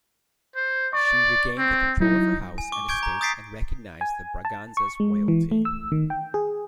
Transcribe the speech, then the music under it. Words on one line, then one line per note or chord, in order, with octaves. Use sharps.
She regained the control of her House and estates and recognised the Braganzas royalty.
C5
D5 C#6
C4
F#3 D#4 E4
G#5
C#6 D6
C#6 G6 G#6 D7
A#5
D#6 G6 A6 B6 C7 D7
G#5
A5
C#6
G#3
E3
A3
E6
D#3
G5
G#4